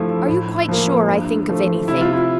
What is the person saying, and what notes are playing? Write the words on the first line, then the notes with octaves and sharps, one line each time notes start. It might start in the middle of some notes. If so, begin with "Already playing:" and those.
"Are you quite sure I think of anything?"
Already playing: G2 F3 A3 E4
A2
F3 A#3
G2
F3 A3
C3 E4
F4
E4